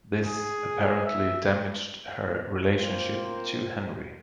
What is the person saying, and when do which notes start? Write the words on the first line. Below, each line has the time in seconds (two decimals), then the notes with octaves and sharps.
This apparently damaged her relationship to Henry.
0.25 G#4
1.05 E5
2.64 A#3 C4 F4 A#4 C5